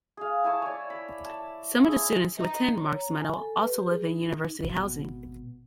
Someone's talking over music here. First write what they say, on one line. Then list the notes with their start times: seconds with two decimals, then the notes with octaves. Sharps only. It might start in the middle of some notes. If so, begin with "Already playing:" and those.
Some of the students who attend Mark's Meadow also live in university housing.
0.17 G#4 F5
0.44 E4 G#5 A5 C#6
0.62 C#5 D5
0.90 B5
1.26 A5
1.83 E4 G#4 C#5
2.37 D#4
2.78 C#5
2.93 A#5
3.17 G#5
3.37 A4
3.59 B4
3.72 G4
3.86 G#4
4.05 D#4
4.22 D#4
4.63 G#1 B2